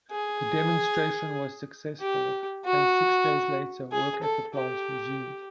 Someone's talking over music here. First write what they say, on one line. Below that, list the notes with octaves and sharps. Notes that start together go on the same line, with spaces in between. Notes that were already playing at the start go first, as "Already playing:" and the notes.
The demonstration was successful and six days later work at the plants resumed.
G#4
G4
F#4
G#4
A4
G4